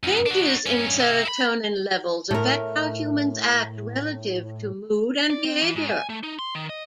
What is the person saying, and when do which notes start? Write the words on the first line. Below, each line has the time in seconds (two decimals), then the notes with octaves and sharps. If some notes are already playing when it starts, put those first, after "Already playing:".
Changes in serotonin levels affect how humans act relative to mood and behavior.
0.03 F#2 B3
0.26 D4 F#4
0.66 G2 C#4
1.00 E5 G5
1.25 E4 B5
2.31 A2 A3 A#4
5.30 D5
5.45 C4
5.61 E3
5.76 G#2
5.91 G#5
6.09 A3
6.23 D#4
6.39 C6
6.55 D#3
6.69 D#5